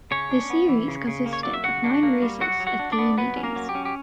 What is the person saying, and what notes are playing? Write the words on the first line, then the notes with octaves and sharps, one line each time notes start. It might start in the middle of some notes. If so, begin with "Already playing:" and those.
The series consisted of nine races at three meetings.
C#3 C#4 C#5
D4
B3
E3
C#3
C#3
A#3
C#5
F#3 D5
E5
C#3 F#4 F#5
D4
A#3
G3
F#3 F#4 F#5
F#3
F#4 F#5
D4
D4 D5
B3
F#3 B3 B4
C#4
A#3 A#4
F#3
G4
C#4
G4